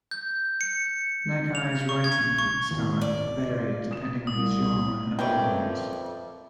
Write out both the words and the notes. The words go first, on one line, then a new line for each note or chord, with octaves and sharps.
Nagai's writing style varied depending on his genre and audience.
G6
C#7
F7
C#6
G#6
C#6
D#2 A2
D5
F4
D#6 E7
C2 D#6
F2 D#3 C#4 B4 D5 E5 G5